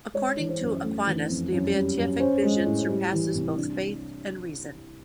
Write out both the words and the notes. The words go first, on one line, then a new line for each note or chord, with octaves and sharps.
According to Aquinas, the Beatific Vision surpasses both faith and reason.
G#3 C#5
E3
C5
F#2
A3
E3
F2
F#2
G3
F#2
C#4 C5
G#3
A2
G3
E3
C2
D4